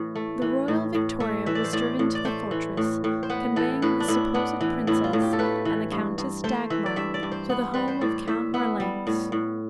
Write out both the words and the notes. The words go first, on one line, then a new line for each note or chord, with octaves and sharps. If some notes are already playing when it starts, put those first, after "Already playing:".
The royal victoria was driven to the fortress, conveying the supposed princess and the Countess Dagmar to the home of Count Marlanx.
Already playing: A2 E3
A3
E3
A2
A2
A3 E5
E3 E5
D5
C5
A2 D5
A2
D5
A3 C5
E3
A2
A2
C5
B3 B4
E3 A4
A2 B4
D4
A2 E4
B3 D4
E3
A2 E4
F4
A2
G4
A4
A3 B4
E3
G2
G2
A3 C5
E3 E5
D5
G2 E5
D5
G2
C5
B3
G3 B4
C5
A2 D5
A2 E5
B3 E5
G3
A2
A2